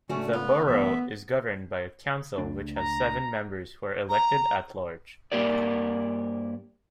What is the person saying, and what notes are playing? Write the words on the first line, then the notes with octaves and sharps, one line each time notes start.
The Borough is governed by a council which has seven members who are elected-at-large.
C#3 A3 C#4 D4 F#4
B3 F4
A1 B3 E5
C#2 A3 D4
A#5
A#5
G2 A#3 G4 A#4 D5